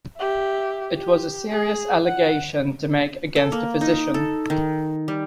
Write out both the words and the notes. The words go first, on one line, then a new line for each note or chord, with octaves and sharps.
It was a serious allegation to make against a physician.
G4 E5
G4
G#4
F#5
A4
A#3
D#4
A4
D#3
G3